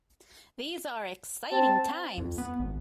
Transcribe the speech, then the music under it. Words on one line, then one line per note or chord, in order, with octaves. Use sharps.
These are exciting times.
C4 A5
F2
B3
G#1